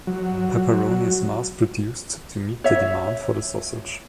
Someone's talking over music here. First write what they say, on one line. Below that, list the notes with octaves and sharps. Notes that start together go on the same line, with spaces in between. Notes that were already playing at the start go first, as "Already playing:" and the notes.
Pepperoni is mass-produced to meet the demand for the sausage.
F#3
C#5 E5